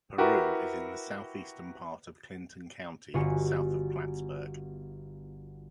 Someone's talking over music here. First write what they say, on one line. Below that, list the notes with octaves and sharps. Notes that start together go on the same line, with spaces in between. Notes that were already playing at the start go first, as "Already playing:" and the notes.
Peru is in the southeastern part of Clinton County, south of Plattsburgh.
E4 F#4 G4 A#4 B4
G1 B3 F4 F#4 G#5 C#7